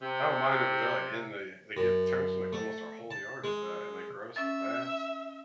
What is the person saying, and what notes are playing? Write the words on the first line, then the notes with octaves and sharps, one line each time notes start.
I don't mind it, but they're, like, in the they get turns in, like, almost our whole yard is that, and they grow so fast
C3
F#2
A3
A5
G#3
C#4 E5 A6